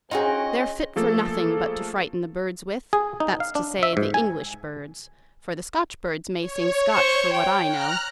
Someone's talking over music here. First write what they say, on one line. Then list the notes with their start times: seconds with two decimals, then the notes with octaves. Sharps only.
They're fit for nothing but to frighten the birds with--that's to say, the English birds, for the Scotch birds may sing Scotch for what I know.
0.11 C#4 D#4 F4 F#4 G#4 D#5 G5
0.96 F3 A3 A#3 G#4 A4
2.93 G#4
3.20 D#4
3.40 F5
3.55 D4
3.83 E5
3.97 G#2
4.14 G#5
6.41 C#5
6.91 C5 C#6
7.33 G5
7.67 A#5 F6 F#6